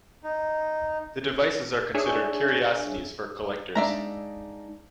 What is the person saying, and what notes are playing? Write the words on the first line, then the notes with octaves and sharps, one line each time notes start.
The devices are considered curiosities for collectors.
D#4
D4 G#4 C#5 E5 G#5
G#3 D4 D#4 E5 F5 A#5